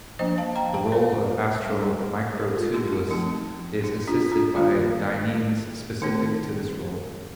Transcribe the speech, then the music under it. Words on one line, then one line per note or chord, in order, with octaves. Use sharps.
The role of astral microtubules is assisted by dyneins specific to this role.
F3 A#3 D4 C5 D#5
F5 A5
G5 A#5
F5 A5
A4 C5
G3 D4
G4 A#4
F4 A4
D#4 G4
D#4 G4
F3 A3 C4 D#4
D#4
D4 F4
D4 F4
D#3 G3 A#3 D4 F4
D#3 A3 C4 D#4